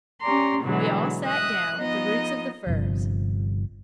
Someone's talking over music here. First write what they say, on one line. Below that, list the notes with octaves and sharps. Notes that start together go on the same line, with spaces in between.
We all sat down at the roots of the firs.
C#4 G4 D5 A#5 C6
B2 D3 E3 F#3 G#3
D#5 E5 D#6 F#6
F3 B3 D#4 D#5
G1 G2 C3 F3